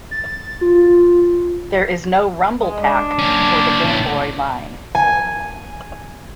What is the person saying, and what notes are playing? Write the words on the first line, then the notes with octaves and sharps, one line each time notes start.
There is no Rumble Pak for the Game Boy line.
A6
F4
G#3
D4
A#3 C#4
A2 B3
G#5